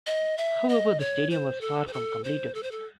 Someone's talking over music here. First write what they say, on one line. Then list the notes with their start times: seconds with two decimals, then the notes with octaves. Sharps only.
However, the stadium was far from completed.
0.07 D#5
0.37 E5
0.69 D#5
1.00 C#5
1.30 C5
1.61 A4
1.87 C5
1.93 A4
2.24 C5
2.54 A4
2.63 C5
2.71 A4